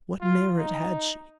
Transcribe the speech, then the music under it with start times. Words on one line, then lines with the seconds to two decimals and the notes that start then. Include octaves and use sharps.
What merit had she?
0.21 F4
0.58 D#4